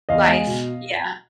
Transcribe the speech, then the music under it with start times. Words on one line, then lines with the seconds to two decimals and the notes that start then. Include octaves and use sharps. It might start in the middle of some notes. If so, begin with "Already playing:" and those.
Life. Yeah.
0.09 E2 D#5 F5
0.28 G#3
0.47 B2